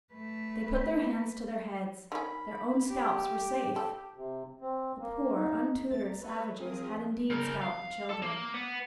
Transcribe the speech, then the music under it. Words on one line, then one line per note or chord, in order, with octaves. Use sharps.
They put their hands to their heads - their own scalps were safe! The poor untutored savages had indeed scalped the children.
A3 B4
D#3 C#4 B5
G4
A4
C3
C4
A#3
D#4
B1 A3 A6
A#5
B4 C#5 E5
F3 C4 G#4 A#4 D#6
C#3 A#4
F5
A4
A#3
B3